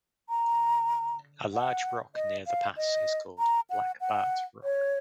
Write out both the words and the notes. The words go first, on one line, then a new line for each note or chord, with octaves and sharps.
A large rock near the pass is called Black Bart Rock.
A#5
F#5
D#5
F5
D#5
A#5
F#5
F#5
C#5